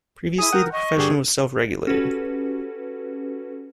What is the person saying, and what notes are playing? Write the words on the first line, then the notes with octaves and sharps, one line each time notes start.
Previously, the profession was self-regulated.
E4 G#4 E5 D#6
A#4 F#5 G5
D#5 C#6
G2 D3 G4 G#4
C#4 F#4 G4 A4 B4